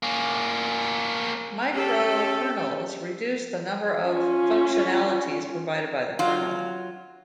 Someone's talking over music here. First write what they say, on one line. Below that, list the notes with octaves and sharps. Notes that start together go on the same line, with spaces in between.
Microkernels reduce the number of functionalities provided by the kernel.
A#3 C#4
C#4 G4 A4
C#4 F4
F#3 F4